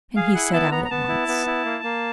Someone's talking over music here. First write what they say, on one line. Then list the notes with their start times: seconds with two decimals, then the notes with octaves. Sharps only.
And he set out at once.
0.16 G#4 F5
0.34 E4 F#5
0.53 B3 A5
0.72 B3 A#5
0.85 A#5
0.91 B3 A5
1.09 E4
1.28 B3
1.47 E4
1.65 A#3
1.84 A#3